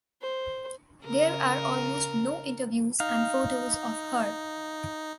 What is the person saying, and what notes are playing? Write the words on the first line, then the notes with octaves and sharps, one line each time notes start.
There are almost no interviews and photos of her.
C5
C#3 A#4
D#4 F5